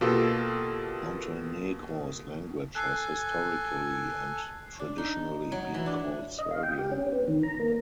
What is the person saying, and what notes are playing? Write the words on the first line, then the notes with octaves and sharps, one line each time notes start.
Montenegro's language has historically and traditionally been called Serbian.
B2 A#3 F4 G4 A4
A4 G#5 F#6 C7
D4
D#4
F#3
E3
D4
D#5
F5
G5
G4
C#4
B3
D#3
A#5
A#3